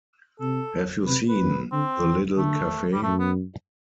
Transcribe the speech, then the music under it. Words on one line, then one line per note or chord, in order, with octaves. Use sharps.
Have you seen "The Little Cafe"?..
C3 A4
C3 B4
B4
F#2
D3 C4
E3
D3 A3
G3
F#2 A3
B3